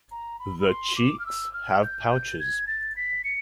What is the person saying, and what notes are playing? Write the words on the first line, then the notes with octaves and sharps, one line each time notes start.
The cheeks have pouches.
A#5
B5
B5
C6
D6
F6
E6
F6
G6
G6
G#6
A6
B6
C#7